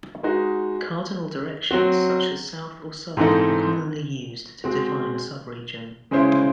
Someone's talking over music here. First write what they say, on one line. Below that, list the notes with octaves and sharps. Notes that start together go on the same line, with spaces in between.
Cardinal directions, such as south or southern, are commonly used to define a subregion.
G#3 D#4 F#4
F#3 C4 F#4
G#2 E3 C4 D#4 A4
G#3 C4 F#4
C#3 G#3 C#4 E4 C5